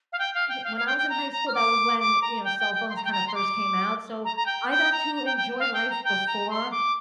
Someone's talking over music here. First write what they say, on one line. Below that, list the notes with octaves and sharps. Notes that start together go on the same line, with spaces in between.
y when I was in high school that was when, you know, cell phones kind of first came out, so, I got to enjoy life before
F5
G5
F5
G5
F5
F5
G5
G5
A#5
A#5
F6
D6
D6
A#5
G5
G5
G5
C6
A#5
G5
A#5
C6
D6
A#5
A#5
G5
G5
A#5
A#5
G5
G5
F5
G5
A#5
G5
A#5
C6
D6